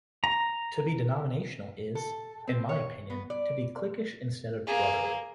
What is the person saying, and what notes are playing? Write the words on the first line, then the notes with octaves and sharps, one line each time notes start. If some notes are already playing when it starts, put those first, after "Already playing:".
To be denominational is, in my opinion, to be cliquish instead of brotherly.
A#5
A4
C4
C#5
B3
D5
A#3 G#4